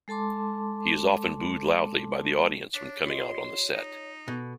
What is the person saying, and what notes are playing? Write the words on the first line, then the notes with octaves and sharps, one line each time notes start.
He is often booed loudly by the audience when coming out on the set.
G#3 A4 A5 C6 D6
D4 C#5 B6
F4 G4 D#5 C6
D#4
B2 A4